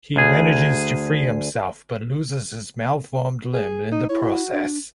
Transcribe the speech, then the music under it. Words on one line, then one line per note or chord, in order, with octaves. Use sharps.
He manages to free himself but loses his malformed limb in the process.
D2 G#4
G#4
D#4
E4 C#5
F#4
D4